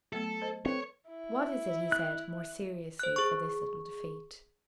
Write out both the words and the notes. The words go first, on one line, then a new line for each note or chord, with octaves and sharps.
"What is it?" he said, more seriously for this little defeat.
F#3 A3 B3 A4
C5 D#5 A5
C4 A4 B4 C#5
E4
F#6
C5 F#6
G#4 C#6